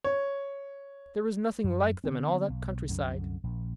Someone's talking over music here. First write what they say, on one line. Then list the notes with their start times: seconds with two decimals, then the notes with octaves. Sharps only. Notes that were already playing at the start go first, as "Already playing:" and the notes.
There was nothing like them in all that countryside.
0.04 C#5
1.64 F#2
2.04 D3 B3 C4
2.50 B1
2.88 C2 F#2 D3
3.44 A#1